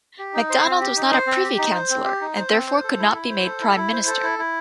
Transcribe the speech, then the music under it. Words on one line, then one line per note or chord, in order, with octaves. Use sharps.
MacDonald was not a Privy Councillor, and therefore could not be made Prime Minister.
G4
D#4
C5
C4
G4
D#4
C5
C4
G4
D#4
C5
C4
G4
D#4
C5
C4
C5
A4
E4
E4
C5
A4
E4
E4
C5
A4
E4
E4